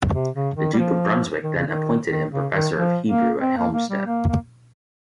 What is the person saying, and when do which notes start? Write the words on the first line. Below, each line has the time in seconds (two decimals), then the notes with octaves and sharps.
The Duke of Brunswick then appointed him professor of Hebrew at Helmstedt.
0.13 C3
0.35 C#3
0.56 D#3
0.73 G3
0.78 F3
1.43 D#3
1.55 C#3
1.67 D#3
2.10 D#3
2.32 C#3
2.53 D#3
2.75 F3
3.08 A#3
3.41 C4
3.57 A#3
3.74 A#3
3.90 G3
4.06 A#3
4.28 A#3